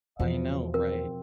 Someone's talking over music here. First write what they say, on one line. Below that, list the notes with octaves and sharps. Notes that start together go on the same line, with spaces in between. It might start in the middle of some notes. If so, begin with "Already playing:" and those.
I know, right?
E2 B2 F3
C4 A#4